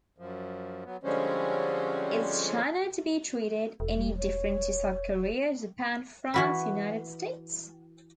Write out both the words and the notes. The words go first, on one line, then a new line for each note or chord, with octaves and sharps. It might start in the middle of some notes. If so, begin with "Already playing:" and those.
Is China to be treated any different to South Korea, Japan, France, United States?
F#2 F3
F#3 B3
D3 F3 G3 G#3 C4 C#4
E1 A4
G3
C#5
E3 F#4 B4